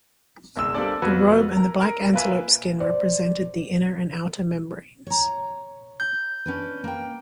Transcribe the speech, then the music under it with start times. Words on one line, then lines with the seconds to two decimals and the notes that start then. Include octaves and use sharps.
The robe and the black antelope skin represented the inner and outer membranes.
0.56 G1 C2 G#3 E6 E7
0.74 G3 A#3 C4 D4 A4 D5
1.02 F2 B3 F#4 B4 G#6
1.52 A#4 A#5
1.81 A#4
2.13 A#3 F4 B4 E5 G#5
2.80 C5 D5
5.07 C#5 A#5
6.00 G6
6.46 C#4 D4 B4
6.84 A#3 G5